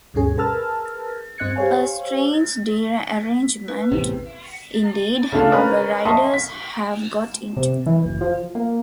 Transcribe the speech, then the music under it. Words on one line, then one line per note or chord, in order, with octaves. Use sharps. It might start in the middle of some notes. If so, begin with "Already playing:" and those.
A strange derangement, indeed, our riders have got into.
D2 G2 B2 C#4 G#4
G#4 A#4 B4 A5 E6 F6
G2 C4 D#5 F#6 G#6 C#7
G4 C5 C#5 F5 G#5
B4
A1 E2 C3
C#3 A3 D4 F4
C#4 A#4 B4
D#5 E5 A5 C6 C#6 D#6
B6
C3
E3
F#1
F3
A#3